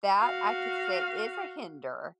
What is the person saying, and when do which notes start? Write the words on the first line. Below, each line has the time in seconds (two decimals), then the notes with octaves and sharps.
that, I could say, is a hinder
0.19 F#4 F5